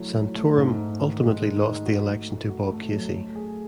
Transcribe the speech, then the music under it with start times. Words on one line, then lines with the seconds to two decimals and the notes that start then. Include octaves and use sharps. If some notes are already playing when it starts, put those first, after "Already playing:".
Santorum ultimately lost the election to Bob Casey.
Already playing: F#3 A3 E4
0.15 F#3
0.36 A3
0.57 G#2
0.79 D#4
1.00 D#3
1.21 G#3
1.43 G#2
1.64 D#4
1.85 F#4
2.07 A3
2.28 A3
2.49 F#4
2.71 A3
2.92 F#3
3.14 A3
3.35 G#4